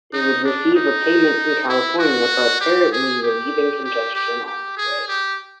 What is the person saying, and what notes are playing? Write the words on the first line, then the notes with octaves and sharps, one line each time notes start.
They would receive a payment from California for apparently relieving congestion on the grid.
D#4
D4
D#4
E4
F#4
G4
G#4
G4
G4
G4
G4
G#4
G4